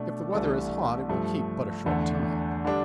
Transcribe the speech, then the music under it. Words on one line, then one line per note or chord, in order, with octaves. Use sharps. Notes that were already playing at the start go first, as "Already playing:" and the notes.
If the weather is hot, it will keep but a short time.
Already playing: B2 A3 D4
C2 C3 E3 A3 D4
G2 F3 A3
E2 D3 A3
D3 G3 D4